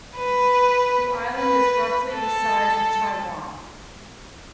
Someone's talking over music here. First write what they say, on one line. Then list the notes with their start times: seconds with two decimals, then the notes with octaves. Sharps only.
The island is roughly the size of Taiwan.
0.16 B4
1.35 B4
2.14 A4